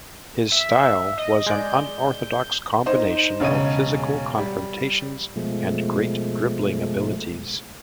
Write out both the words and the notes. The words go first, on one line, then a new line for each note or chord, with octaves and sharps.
His style was an unorthodox combination of physical confrontations and great dribbling abilities.
E5
D#5
G#3 D5 G6
D#4 C5
E1 C#3 C#5 D#5 D#7
G3
B2 F3 G#3 A3